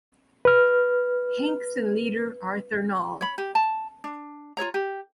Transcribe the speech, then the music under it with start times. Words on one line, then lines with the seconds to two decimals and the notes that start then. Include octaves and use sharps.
Hanks, and Leader, Arthur Nahl.
0.45 B4 F6
3.21 C#5 B5
3.38 G4
3.55 A5
4.04 D4
4.57 F4 A4 C#5 A#5
4.74 G4